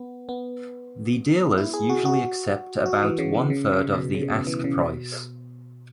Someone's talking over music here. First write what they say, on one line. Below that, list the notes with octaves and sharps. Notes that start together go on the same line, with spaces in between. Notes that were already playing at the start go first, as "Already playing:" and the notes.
The dealers usually accept about one third of the ask price.
Already playing: B3
B3
E4
G#4
F#4
F#4
F#4
E3
C#3
E3
C#3
C#3
B2
C#3
B2
E3
C#3
B2